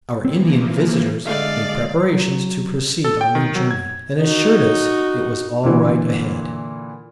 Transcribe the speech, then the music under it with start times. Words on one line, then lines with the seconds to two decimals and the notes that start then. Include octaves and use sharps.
Our Indian visitors made preparations to proceed on their journey, and assured us it was all right ahead.
0.25 E3 F3 A#3 C4
1.26 D3 G#3 A3 D5 D#5 F5
2.13 F#3
3.04 A4
3.21 G5
3.35 D#3
3.55 F#3
3.71 G#6
4.19 D#4 F#4
5.64 A#2 D3 E3